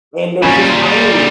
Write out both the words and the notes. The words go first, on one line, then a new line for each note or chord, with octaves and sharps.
And they just finally
A#2 G3 C#4 B5
F4